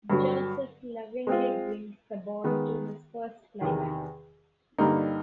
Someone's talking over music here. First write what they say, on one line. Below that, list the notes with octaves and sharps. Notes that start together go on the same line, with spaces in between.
Josif lovingly brings the boy to his first climax.
G2 D3 F#3
G#3 C4 F4
D#3 G#3 B3
E2 C3 D#3
G2 D3 G3 A#3 D#4